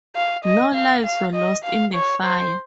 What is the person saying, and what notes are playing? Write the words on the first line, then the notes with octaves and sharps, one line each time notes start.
No lives were lost in the fire.
F5
D#5
F5
F5
D#5
F5
C#5
C5